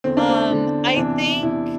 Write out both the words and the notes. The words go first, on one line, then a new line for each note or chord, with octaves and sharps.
Um, I think
E2 D3 C4
D4
C4
E2 D3
C4
E2 C3 E3 D4
E2 C3 E3 E4